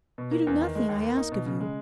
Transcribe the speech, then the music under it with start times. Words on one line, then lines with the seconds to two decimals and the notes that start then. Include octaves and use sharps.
You do nothing I ask of you.
0.18 B2
0.31 A#3
0.47 E2
0.61 D#3
0.75 G#3
0.89 D#2
1.04 A#3
1.17 D#4
1.32 B2
1.46 C#3
1.60 G#3